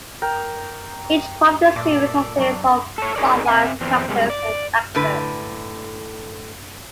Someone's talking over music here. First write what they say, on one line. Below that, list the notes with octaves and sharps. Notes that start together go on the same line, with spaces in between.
Each part of the series had its own plotlines, characters, and actors.
A#4 G5
A#2 A4 D5
B1 D4 C#6
A4 C#5
C4 D#4 G#4 A#4 C#5 D5
C4 E5 G#5
E2 C4
C3 G3 G#3 A#3
D5
A2 D3 B4